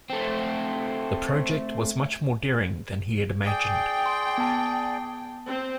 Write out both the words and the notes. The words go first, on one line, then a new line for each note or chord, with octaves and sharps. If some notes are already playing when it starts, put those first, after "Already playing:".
The project was much more daring than he had imagined.
A3 C4
G#4 D5 G5
C6
B3 A5
C4